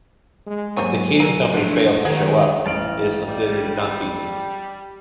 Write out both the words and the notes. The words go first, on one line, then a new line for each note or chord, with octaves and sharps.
If the catering company fails to show up, it is considered nonfeasance.
G#3
G#2 F#3 A#3 G4 C5 C#5 G#5
A#1 F#3 A#4 E6
F3 A3 D4
C#2 D#3 D#4 G4 G#4 B4 F#5
A1 D#5 F5 A5 D7 F#7
G3